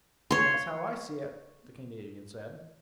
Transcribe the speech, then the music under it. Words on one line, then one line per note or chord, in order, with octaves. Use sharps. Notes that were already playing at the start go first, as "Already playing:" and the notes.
"That's how I see it," the Canadian said.
C#5 C6